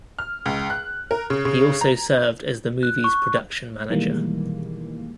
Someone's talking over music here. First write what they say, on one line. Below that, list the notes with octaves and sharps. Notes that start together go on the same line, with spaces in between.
He also served as the movie's production manager.
F6
C#2
F#6
A#4
C#3
C#3
A#5
F#6
C#6
B2 D#3 E3 G3 G#3 A#3